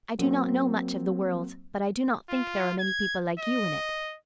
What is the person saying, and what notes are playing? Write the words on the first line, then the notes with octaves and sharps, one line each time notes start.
"I do not know much of the world, but I do not think there are many people like you in it."
F#3 A#3 C4
F4
G#6
D#5